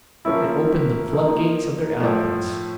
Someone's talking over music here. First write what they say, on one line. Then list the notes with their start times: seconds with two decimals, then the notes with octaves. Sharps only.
It opened the floodgates of their eloquence.
0.25 F3 A#3 C#4 E4
1.13 F3 A#3 D#4
2.00 A2 F3 A3